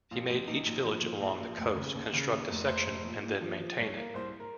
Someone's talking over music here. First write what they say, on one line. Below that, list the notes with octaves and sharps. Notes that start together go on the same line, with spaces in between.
He made each village along the coast construct a section and then maintain it.
A#1 F4
A#1
A#1 D#4
A#1
F3
A#2
A#1
A#1
F1
C#3
D#2
C#3
D#2 D#4
F1
F1 C5
F1
A#2
A#2
F3
F3
C2 C#5
A#3
C2 C5
A#4